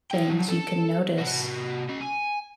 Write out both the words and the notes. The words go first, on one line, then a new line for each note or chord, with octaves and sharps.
things, you can notice
E4 G5
F3 F#3
A4
C3 F#4
C#4 D#5
G#5